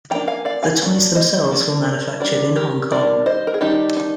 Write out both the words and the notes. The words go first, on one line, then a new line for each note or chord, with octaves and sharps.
The toys themselves were manufactured in Hong Kong.
F3 A#3 D4 G5 A#5
F5 G#5
D5 F5
F5 G#5
F3 A#3 D4
C5 D#5
F3 A#3 D4
D#3 G3 D4 A#4 D5
G4 A#4
D#3 G3 D4 A#4 D5
C5 D#5
A#4
G#4
D#3 G3 D4 D#4 G4
D#4